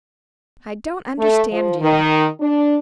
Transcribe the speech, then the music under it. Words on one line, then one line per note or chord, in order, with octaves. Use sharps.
"I don't understand you."
A3
F3
D#3
D4